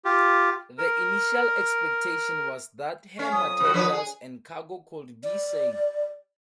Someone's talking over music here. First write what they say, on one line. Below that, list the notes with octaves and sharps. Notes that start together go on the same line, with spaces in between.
The initial expectation was that her materials and cargo could be saved.
F4 G4
A#4
C#3 C#4 F5 C#6
F2 F#3 D#6
C3 F#4
F3 D4 B4
G#4
D5